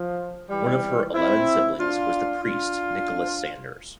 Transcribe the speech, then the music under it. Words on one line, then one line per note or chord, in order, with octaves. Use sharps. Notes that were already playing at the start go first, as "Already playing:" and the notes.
One of her eleven siblings was the priest Nicholas Sanders.
Already playing: F3
E3 G3
C4 E4
D4 F4
D4 F4